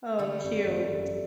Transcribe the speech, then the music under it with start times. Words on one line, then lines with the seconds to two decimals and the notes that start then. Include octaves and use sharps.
Oh, cute.
0.19 D3 G3 A3
0.43 G#1
0.67 G#1
0.92 F#2